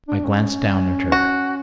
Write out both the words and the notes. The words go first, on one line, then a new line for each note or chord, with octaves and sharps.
I glanced down at her.
D4
C#4
F#4